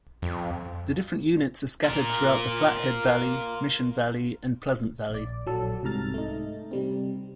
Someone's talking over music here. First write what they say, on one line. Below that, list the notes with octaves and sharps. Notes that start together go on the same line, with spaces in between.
The different units are scattered throughout the Flathead Valley, Mission Valley, and Pleasant Valley.
F2
F4 A#4
A#1 D5
A#1 F#3 A4
C2 G#2 C3 A#5 F6 A6
A3 D#4
C3 G3 C4